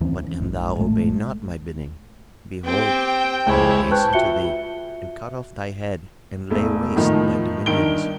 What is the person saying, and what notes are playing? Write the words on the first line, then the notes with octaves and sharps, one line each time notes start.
But an thou obey not my bidding, behold, I will hasten to thee and cut off thy head and lay waste thy dominions.
D#2 E3 C4 C#4
A#1 G#2
A1 A2 G#3 A3
C4 G4 G5
C#2 E4 C5 C#5
B4 G5 A5 C#6 F#6 G6
F4 F#4 E5 C#7 G7
E1 A3
A2 D#3 F3
G2 D#3 D7 G7